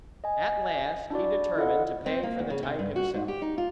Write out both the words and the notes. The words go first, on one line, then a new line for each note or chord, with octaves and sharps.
At last he determined to pay for the type himself.
D#5 G#5
D4 E4 F#4 D5
E4 F4 A4 D#5 F5 F#5
C4
A#3
D2
C#3
C3
G2
F#4
G#2
G4
D#4
F4